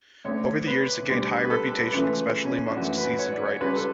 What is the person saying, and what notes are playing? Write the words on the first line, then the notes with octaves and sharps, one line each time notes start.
Over the years it gained high reputation especially amongst seasoned riders.
D2 D3 A3 C#5
C#5
B4
D2 D3 G3
B4
A4
B4
A4
B4
C#2 C#3 E3 A3
C#4
C#4
D4
F#2 E3 A3 F#4
B4
C#5
D5
C#5
C#2 C#3 G3 B4
A4